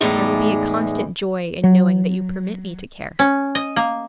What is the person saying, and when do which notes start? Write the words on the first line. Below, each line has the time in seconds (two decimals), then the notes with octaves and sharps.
'There will be a constant joy in knowing that you permit me to care.'
0.01 E2 A2 G#3 D#4 D5
1.64 F#3
3.19 C#4
3.55 D#5
3.76 A#3